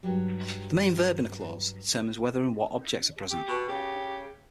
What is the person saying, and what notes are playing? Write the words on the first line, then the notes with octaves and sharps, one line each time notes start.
The main verb in a clause determines whether and what objects are present.
G2 F#3 G3
G4
B2
C#3 G4